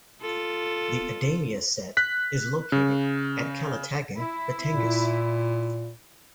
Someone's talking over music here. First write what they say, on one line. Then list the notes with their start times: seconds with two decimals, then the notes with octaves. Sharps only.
The Adamya set is located at Calatagan, Batangas.
0.21 F4 A4
1.97 F#6 B6
2.72 C#3
4.16 E4
4.73 A#2